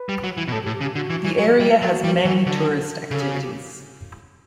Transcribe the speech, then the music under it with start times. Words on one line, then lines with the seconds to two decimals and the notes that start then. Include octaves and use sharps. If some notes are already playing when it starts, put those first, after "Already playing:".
The area has many tourist activities.
Already playing: B4
0.09 G3
0.24 F#3
0.37 E3
0.48 B2
0.52 A2 A4
0.63 G4
0.66 A2
0.74 G4
0.81 C#3
0.84 G4
0.95 D3 F#4
1.10 E3
1.24 E3
1.38 F#3
1.60 G3
1.82 F#3 F#4
2.04 G3
2.25 E3
2.46 D3
3.11 C#3 A4
3.22 G4
3.33 F#4
3.43 G4